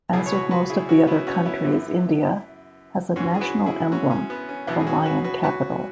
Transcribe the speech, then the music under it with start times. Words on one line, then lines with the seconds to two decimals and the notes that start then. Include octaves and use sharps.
As with most of the other countries India, has a national emblem-the Lion Capital.
0.13 C#2 B2 F#3 E4 G#4
0.26 C#5
0.32 F#4 B4
0.51 F#4 B4
0.70 E4 G#4
0.89 C#4 F#4
1.07 B3 E4
1.27 C#4 F#4
1.45 B3 E4
1.65 F#2 E3
3.16 G#2 C#4 F#4
3.20 E3
3.34 G#4
3.41 F#4 B4
3.66 E4 G#4
3.92 C#4 F#4
4.11 C#4
4.30 B3
4.49 C#4
4.67 E2 B2 F#3 B3 E4
4.79 G#4
4.87 C#4 F#4
5.05 F#4 B4
5.24 F#4 B4
5.44 F#4 B4